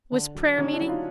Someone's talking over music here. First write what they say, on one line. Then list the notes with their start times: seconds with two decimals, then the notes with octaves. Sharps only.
"Was prayer-meeting?"
0.12 D3
0.35 F#3
0.58 D3 C#4 D#4
0.73 D4 E4
0.81 F#3
0.88 D#4 F4